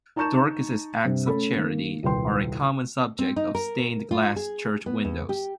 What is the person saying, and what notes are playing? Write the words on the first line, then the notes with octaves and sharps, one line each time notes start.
Dorcas' acts of charity are a common subject of stained glass church windows.
D#4 A5 A#5 C#6 G6 E7
G2 C3
A3 C#4 A4 B5
D#3 A#3
D#1 C2 B4 G5 C6
C4
D#4
A#4
F4
G#4
B3
E2
G4